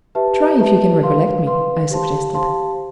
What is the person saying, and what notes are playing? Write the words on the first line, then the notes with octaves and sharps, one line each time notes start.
"Try if you can recollect me," I suggested.
G4 B4 E5 A5
G4 B4 E5 A5
B4 F5 C6
B4 F5 C6
G4 C5 F5 A5 C6
G4 C5 F5 A5 C6